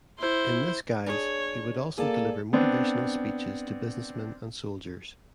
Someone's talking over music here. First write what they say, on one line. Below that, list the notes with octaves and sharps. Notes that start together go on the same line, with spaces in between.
In this guise he would also deliver motivational speeches to businessmen and soldiers.
E4 C5
D4 G#4 C#5
A#3 G#4 A4 D5 A5
B3 C4 D4